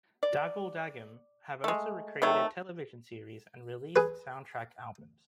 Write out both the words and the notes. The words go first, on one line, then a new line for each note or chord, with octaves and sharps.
Dagoll Dagom have also created television series and released soundtrack albums.
D5
G#3 A3
C3 D#3 F#3 A3
G#4 B4